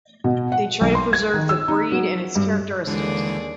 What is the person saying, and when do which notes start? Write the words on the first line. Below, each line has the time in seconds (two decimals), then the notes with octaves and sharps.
They try to preserve the breed and its characteristics.
0.24 B2
0.52 F#5
0.81 B1
0.95 C6
1.13 G#6
1.34 D#3
1.49 E6
1.68 D#4
1.92 F#3
2.35 G2
2.87 D#2 D3 E3 G#3 G#4 D5